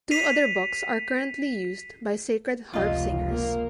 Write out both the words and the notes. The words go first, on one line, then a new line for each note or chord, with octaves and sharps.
Two other books are currently used by Sacred Harp singers.
B6 C7 D#7 F7
F1 C#2 F4 D#5
A#3